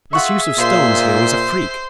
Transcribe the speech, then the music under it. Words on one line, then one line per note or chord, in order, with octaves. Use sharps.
This use of stones here was a freak.
F4 G#4 E5 F#5 C#6
A#2 F4 C5 C6